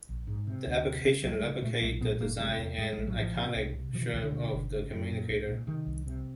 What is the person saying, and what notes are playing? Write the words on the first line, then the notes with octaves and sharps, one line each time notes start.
The application replicated the design and iconic chirp of the communicator.
A#1
G#2
C3
D2
C3
C#3 C4
C#2 F#3
G3
C#3
A#2 A3
B1 A3
A#2 B3
F#1 A#3
C3 G#3
A3
E2
A2 G#3
G#3
A#1
F#3
A2 F3
C3
C2
C3
B2 F3
E3
D#3
C#2 E3
D3
B2
G1
C#3
F#2
A#2
C2
A#2
C3 D#3
C2
C3